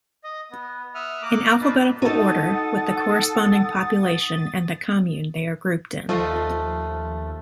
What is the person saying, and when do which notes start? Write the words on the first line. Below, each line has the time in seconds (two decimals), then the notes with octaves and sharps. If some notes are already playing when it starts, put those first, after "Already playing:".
In alphabetical order, with the corresponding population and the commune they are grouped in.
0.24 D#5
0.51 B3
0.95 E5 F#5 D#6 F6
1.22 A#3 A#4 D6 D#6 F#6
1.61 D4 D#4 F4 B4 D5
2.02 D#4 F#4 A4 F#5 D#6 A6
6.09 D#2 F3 A3 F4 A4 D#5